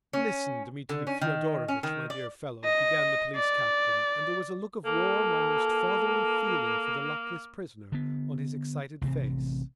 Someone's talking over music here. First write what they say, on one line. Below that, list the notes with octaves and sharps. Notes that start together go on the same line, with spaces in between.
"Listen, Dmitri Fyodorovitch, my dear fellow," began the police captain, and there was a look of warm, almost fatherly, feeling for the luckless prisoner on his excited face.
C#4
D3
C#4
D#3
C#4
D#3
D5
D#5
D5
A#3 A4
D3 B3
A1 C3 E3 C4